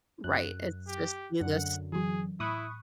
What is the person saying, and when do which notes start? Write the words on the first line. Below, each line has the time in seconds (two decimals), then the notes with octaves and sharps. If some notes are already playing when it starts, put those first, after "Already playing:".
Right. It's just, "Do this"
0.24 F#2 F#6
0.88 G4
1.41 F#2 D3 F#5
1.92 E3 F#3 G#4
2.40 A2 E4 B5 C#6 D#6 F#6